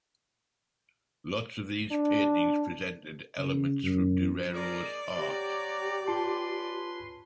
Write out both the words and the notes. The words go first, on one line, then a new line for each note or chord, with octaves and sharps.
Lots of these paintings presented elements from Durero’s art.
D4
C#3
F#2
D#4 G#4 A#4 D5
G4 C#5 F#5 A#5
C#4 F4 B4 A5 C6